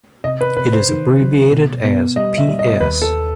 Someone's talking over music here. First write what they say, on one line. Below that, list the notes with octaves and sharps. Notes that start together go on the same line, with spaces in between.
It is abbreviated as "ps".
C3 D#5
B4
C3 B4
C5
D#3
F#3
B2
B3
G3 D#5
E5
G3
D#5
D#2 B4
A4